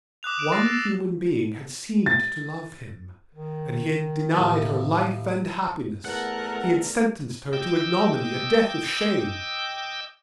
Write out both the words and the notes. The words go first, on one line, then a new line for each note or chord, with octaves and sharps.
One human being had seemed to love him and he had denied her life and happiness: he had sentenced her to ignominy, a death of shame.
D6 D#6 F#6 F7
D7 E7
F#6 A6 A#6 C7
E6 A6 C7 E7
A6
D#3
D#2 A2
E2 A3 A#4 F#5
D#5 G5 D6 E6 G6